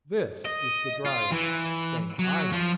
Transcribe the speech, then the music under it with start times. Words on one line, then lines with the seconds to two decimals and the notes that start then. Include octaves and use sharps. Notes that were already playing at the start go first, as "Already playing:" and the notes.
This is the driest thing I know.
0.45 D#5
1.06 F4
1.32 E3
2.19 F#3
2.52 F3